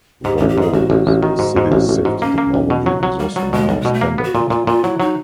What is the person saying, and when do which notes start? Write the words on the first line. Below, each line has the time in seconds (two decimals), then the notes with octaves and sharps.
Volvo's City Safety technology is also now standard.
0.25 G#2 G4
0.38 G4
0.41 A1
0.49 G4
0.58 G#2 G#4
0.74 A1 F#4
0.90 A1
1.07 A1
1.23 D#3
1.39 G#2
1.56 G#2
1.72 A1
1.89 A1
2.05 G#2
2.21 A#3 C#4
2.38 A#3
2.54 B1
2.70 B2
2.86 F#3
3.03 F#3
3.19 G3 A#3
3.36 F#3 G3
3.53 B2 G#3
3.69 B1 G3
3.81 B2 G#3
3.94 A3
4.01 A#3
4.18 B3
4.24 F#4
4.34 A#2 F4
4.50 A#2 F4
4.67 A#2 F4
4.84 F#3 E4
5.00 F#3 D#4